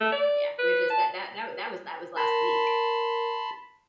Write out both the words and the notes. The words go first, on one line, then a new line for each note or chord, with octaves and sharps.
yeah, we're just that that that that was that was last week.
A3
D5
B4
A5
A#4 A5 B5 C6